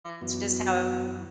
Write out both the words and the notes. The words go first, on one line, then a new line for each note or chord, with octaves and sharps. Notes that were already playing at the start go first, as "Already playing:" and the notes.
it's just how
F#2 B2 E3